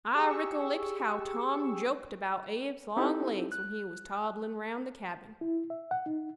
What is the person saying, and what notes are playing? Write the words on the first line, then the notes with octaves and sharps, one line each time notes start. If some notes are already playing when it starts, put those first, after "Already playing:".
I ricollect how Tom joked about Abe's long legs when he was toddlin' round the cabin.
G4 G#4 C#6 E6
C4 D#4 E4 G4 A4
F#6
E4
E5
F#5
D#4